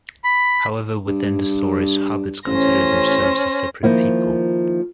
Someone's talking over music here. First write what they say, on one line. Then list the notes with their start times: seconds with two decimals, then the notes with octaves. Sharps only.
However, within the story, hobbits considered themselves a separate people.
0.24 B5
1.07 G2
2.47 A1 C#4 C5 A#6
3.83 D#3 F3 A#3 E4